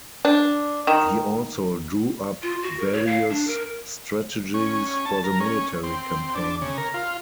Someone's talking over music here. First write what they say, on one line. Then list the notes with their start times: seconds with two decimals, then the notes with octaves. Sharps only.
He also drew up various strategies for the military campaign.
0.25 D4
0.87 D#3
2.43 F4
2.63 F#4
2.79 A#4
2.93 C#5
3.07 F5
3.29 D4
3.47 A#4
4.54 C#4
5.06 A5
5.24 A#4
5.40 C#4
5.83 C4
6.35 D4
6.62 C#3
6.78 A#4
6.94 F4